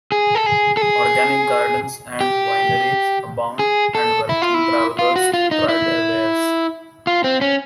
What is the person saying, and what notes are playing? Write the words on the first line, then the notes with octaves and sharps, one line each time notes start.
Organic gardens and vineries abound and welcome travelers to try their wares.
G#4
A4
G#4
A4
G#4
G4
G#4
A4
E4
F4
E4
F4
F#4
F4
D#4
E4
F4
C4
C#4